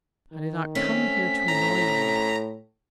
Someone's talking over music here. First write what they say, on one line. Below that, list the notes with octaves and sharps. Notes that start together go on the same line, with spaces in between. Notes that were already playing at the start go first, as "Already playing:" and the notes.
I did not come here to annoy you.
D#3
A3 C4 C#4 B6
A2 A#5